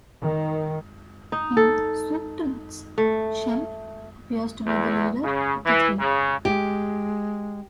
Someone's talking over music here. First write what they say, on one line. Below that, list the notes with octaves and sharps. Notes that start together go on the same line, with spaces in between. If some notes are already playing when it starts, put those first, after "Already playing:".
In "Soup To Nuts", Shemp appears to be the "leader" of the three.
D#3
D#4
A4
A3
E2
C#3
E3
C#3
G#3 G4